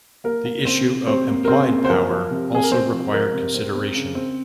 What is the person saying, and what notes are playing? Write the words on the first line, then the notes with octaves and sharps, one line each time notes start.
The issue of implied power also required consideration.
A#3 A#4
A#3
C#3 C4 C5
C#3
G3 C4 C5
A#3
A#4
C#3 C4 C5
A#3
C5
F3 A#4
F3
C3
C4 G#4
A#4
C3 C4 C5
F3
F3 A#4
C3
C4
C4
C#3
C4